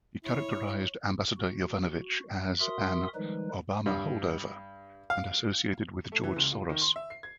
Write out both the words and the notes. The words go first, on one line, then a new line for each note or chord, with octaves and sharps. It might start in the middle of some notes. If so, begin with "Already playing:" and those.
He characterized Ambassador Yovanovitch as an "Obama holdover" and associated with George Soros.
E4 C#5
F#4
F#4 A#4 E5 C6 D#6
D#3 F3 G3 G#3 D#4 B4
G2
F5
A3
E3
C#2
F4
D#3
C6
E5
C7
G#6